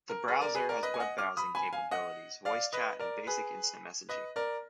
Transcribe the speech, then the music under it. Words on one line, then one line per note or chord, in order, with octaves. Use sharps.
The browser has web browsing capabilities, voice chat, and basic instant messaging.
A#4
G#4 B4
A#4 D5
G#4 B4
A#4 D5
B4 D#5
G#5
D#5 F#5
D6 F6
B5 D#6
G#5 B5
F5 G#5
D#5 F#5
D5 F5
B4 D#5
A#4 D5
G#4 B4
B4 D#5
A#4 D5